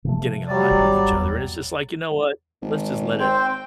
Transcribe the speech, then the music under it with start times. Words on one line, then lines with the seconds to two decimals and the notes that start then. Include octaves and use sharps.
getting hot with each other, and it's just like, "You know what? Let's just let it
0.05 C3 F3 A3
0.48 F#3 G3 D5
0.71 G#1
1.10 E2
2.62 G#1
3.20 C4 C5 G5